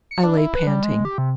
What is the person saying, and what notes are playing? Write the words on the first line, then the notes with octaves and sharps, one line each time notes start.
I lay panting.
C#7
D4
E4
B4
G3
G#3
G4
C3